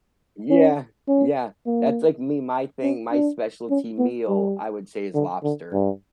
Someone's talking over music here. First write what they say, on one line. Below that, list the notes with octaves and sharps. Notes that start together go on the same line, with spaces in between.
Yeah, yeah. That's like me, my thing- my specialty meal- I would say, is lobster.
C#4
C#4
A#3
C#4
D4
C#4
B3
G3
D3
D3
G2